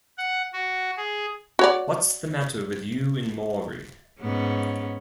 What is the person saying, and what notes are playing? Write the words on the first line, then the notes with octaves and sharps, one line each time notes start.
What's the matter with you and Maury?
F#5
F#4
G#4
F#4 C#5 D5
G#2 B3 C#4